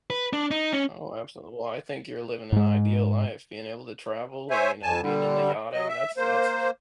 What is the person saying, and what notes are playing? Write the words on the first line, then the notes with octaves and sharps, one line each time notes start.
Oh, absolute well, I think you're living an ideal life, being able to travel and, you know, being into yachting, that's that's
B4
D4
D#4
C#4
G#2 G#3
C5 C#5 E5 G#5
F2 G#5 A5
D3 G3
F#3 D#5
E5
A#3 C5